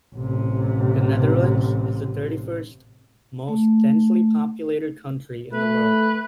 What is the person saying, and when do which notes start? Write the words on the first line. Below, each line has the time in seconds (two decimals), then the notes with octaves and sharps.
The Netherlands is the thirty-first most densely populated country in the world.
0.15 A1 C3
3.48 A3
5.53 A3 B4